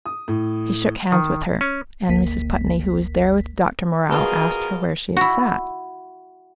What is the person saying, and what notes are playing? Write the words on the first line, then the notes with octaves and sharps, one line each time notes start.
He shook hands with her, and Mrs. Putney, who was there with Dr. Morrell, asked her where she had sat.
D#6
A2
D#3
C#4
G1 D2 A#3 B6
B2 F4 G#4 A#4
E4 F#4